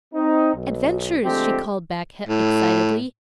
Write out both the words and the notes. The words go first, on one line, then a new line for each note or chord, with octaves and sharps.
"Adventures!" she called back excitedly.
C4 D#4
B1
D3 F3 G#3 A3 C4 G4
A2